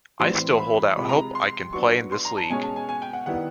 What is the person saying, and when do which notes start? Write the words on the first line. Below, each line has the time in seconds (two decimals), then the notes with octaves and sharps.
I still hold out hope I can play in this league.
0.20 A2 E3 G3 C4 E4 C6
0.58 B5
0.97 C3 F3 G#3 B5
1.09 A#5
1.35 C6
1.73 F#3 B3 D4 C#6
2.12 C6
2.25 A#5
2.37 A5
2.50 B2 G#3 C#4 G#5
2.63 A5
2.76 G#5
2.89 G#5
3.02 G5
3.13 F#5
3.26 D#3 G3 B3 E4 F#5